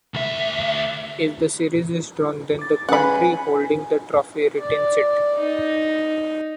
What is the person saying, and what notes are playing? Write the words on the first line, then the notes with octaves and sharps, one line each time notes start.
If the series is drawn, then the country holding the trophy retains it.
D2 E5
D6 A6
C#4 G#4 B4 F#5 G#5 B5
D5
D#4